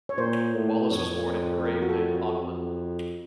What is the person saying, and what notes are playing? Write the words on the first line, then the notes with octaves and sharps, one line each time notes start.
Wallace was born in Grey Lynn, Auckland.
C#5
A#2 C5
A2
F2 C#5
C5
A#4
F#4
A4
F#4
F2